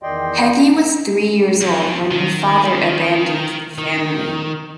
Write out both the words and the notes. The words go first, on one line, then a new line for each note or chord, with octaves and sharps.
Peggy was three years old when her father abandoned the family.
E2 D#3 D5 D#5 G5 C6
F2
D#3
D#3